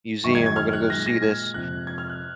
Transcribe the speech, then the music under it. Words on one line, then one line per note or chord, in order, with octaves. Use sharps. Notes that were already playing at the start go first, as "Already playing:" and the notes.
museum, we're gonna go see this,
F#2 D#3 G#3 C#6
G#6
G#6
F6
F#6
A#2 G#3 A#6
A#6
G#6
F2 C3 F3 F#6
G#6
F6
F#6